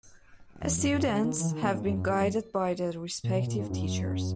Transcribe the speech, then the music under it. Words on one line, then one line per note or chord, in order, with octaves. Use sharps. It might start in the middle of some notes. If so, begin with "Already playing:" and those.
Students have been guided by the respective teachers.
E2
F#2
F#2
C#3
D#3
E3
D#3
B2
A#2
G#2
F#2
F#2
G#2
F#2
A#2
B2
A#2
G#2
F#2